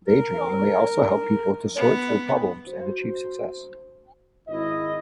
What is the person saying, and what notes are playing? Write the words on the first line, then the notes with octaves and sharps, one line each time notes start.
Daydreaming may also help people to sort through problems and achieve success.
A#4
B3
F#4 C5
G#1 E4 D#5